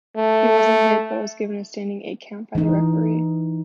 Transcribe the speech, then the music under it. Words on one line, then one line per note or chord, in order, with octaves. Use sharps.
He wasn't hit, but was given a standing eight-count by the referee.
A3
E3 D#4